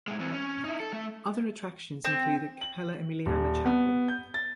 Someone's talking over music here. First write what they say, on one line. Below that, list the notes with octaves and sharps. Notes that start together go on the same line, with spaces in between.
Other attractions include the Cappella Emiliana chapel.
A2 G#3
E3 C4
C#4
D#4 E4
A4
A3
C4
F#7
D#1
B3
G6
A6